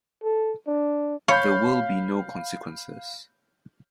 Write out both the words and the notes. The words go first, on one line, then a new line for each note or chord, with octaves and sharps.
There will be no consequences.
A4
D4
C#5 F5 B5 G6